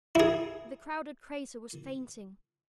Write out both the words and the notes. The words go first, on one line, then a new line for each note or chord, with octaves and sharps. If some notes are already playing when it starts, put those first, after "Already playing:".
The crowded crater was fainting.
E4 G#4